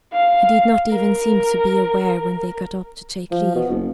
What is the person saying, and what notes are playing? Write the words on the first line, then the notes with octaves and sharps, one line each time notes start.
He did not even seem to be aware when they got up to take leave.
F5
A#4
F3
B2
F#1